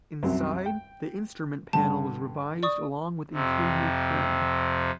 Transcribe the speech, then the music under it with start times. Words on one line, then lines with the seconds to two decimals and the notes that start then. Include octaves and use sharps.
Inside, the instrument panel was revised along with interior trim.
0.23 C2 F#2 C3
0.66 G5
1.73 G2 D3 A5
2.63 D5 C#6 D#6
3.33 F2 C3